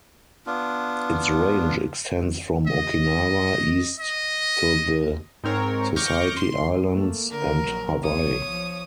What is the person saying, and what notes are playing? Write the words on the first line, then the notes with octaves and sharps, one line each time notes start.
Its range extends from Okinawa east to the Society Islands and Hawaii.
B3 D4 F4
D#5
D#5
G#2 C4 A#4 C#5
C#6 D6 F6 G6 A#6
C6
A3 A#3
D3 A#4
A#1 F#3
B1 C#5 D#6
F3